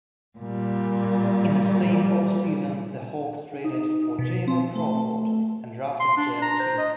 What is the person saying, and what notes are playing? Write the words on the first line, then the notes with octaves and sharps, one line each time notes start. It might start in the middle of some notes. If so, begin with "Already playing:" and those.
In the same offseason, the Hawks traded for Jamal Crawford and drafted Jeff Teague.
A#2 G3
D#4
B2
C4
A3
C6
D4
A#5
C5
D#5